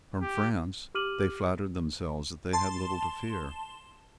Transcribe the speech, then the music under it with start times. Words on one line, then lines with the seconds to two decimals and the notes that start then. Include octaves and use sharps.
From France they flattered themselves that they had little to fear.
0.22 G4
0.94 G4 D6 F6 D#7 F#7
2.53 A5 C6